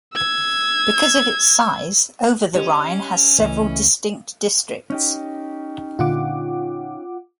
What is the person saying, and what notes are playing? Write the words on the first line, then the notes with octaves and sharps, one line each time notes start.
Because of its size, Over-the-Rhine has several distinct districts.
E6 G#6
C#4 G4 D#5
C#2 E3 A3 D#5
C#4 D#4 G4
A#2 D3 F4 F#5 D6